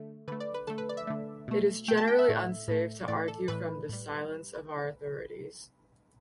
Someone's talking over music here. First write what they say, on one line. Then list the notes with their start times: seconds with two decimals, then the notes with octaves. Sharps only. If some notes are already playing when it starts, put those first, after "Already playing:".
It is generally unsafe to argue from the silence of our authorities.
Already playing: D3 A3
0.28 D3 A3 B4
0.40 D5
0.54 B4
0.67 D3 A3 A4
0.78 B4
0.89 D5
0.97 E5
1.07 D3 A3
1.48 B2 A3
1.88 B2 A3 G5
1.97 A5
2.07 G5
2.19 E5
2.29 A2 A3
2.68 A2 A3
3.08 A2 E3 A3 D5
3.28 A4
3.48 A2 E3 A3 B4
3.89 A2 G3